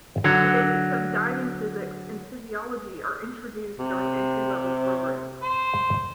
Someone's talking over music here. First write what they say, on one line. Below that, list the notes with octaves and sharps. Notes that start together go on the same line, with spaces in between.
The basics of diving physics and physiology are introduced during entry level programs.
D3 F#3
C3
C5